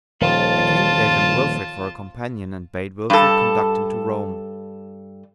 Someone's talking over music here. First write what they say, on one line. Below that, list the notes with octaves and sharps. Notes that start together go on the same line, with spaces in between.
The king gave him Wilfrid for a companion, and bade Wilfrid conduct him to Rome.
D#1 D#3 F3 F4 A5
G2 A4